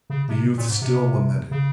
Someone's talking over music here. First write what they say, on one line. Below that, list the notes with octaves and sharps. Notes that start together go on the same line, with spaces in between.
The youth still lamented.
C#3
C3
A#2
G#2
C3
C#3